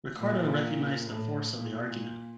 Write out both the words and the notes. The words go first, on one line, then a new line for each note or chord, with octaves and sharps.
Ricardo recognised the force of the argument.
A#2
A2
A#2